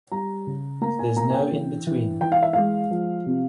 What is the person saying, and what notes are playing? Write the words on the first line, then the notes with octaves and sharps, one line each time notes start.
There's no in between.
G3 A#5
C#3
A#3 A#5
G#5
A#3 A#5
G#5
G5
E3
E3
E3 G5
F5
E5
G#3 F5
F3
C3